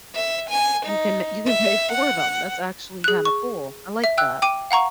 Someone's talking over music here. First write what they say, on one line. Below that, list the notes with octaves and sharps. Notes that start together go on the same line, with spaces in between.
you can you can pay for them, that's actually kinda cool, I like that.
E5
G#5
D#4
E5
F#5
G#4 F#6
C#6
E5
G5 E6 F#6
G5 D6 D#7
F5 F#5 A#5 C#6